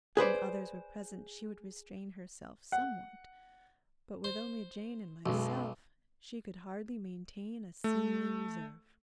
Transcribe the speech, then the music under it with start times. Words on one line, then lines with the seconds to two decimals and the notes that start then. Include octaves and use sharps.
When others were present she would restrain herself somewhat, but with only Jane and myself, she could hardly maintain a seemly reserve.
0.17 G#4 B4 C5 D5
2.72 F#5
4.24 C5
5.26 B1 F#2 B2 G#3
7.84 A3